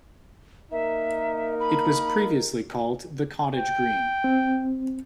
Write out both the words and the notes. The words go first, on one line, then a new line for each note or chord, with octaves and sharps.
It was previously called "The Cottage Green".
A#3 D#4 A#4 E5
B5
G5
C4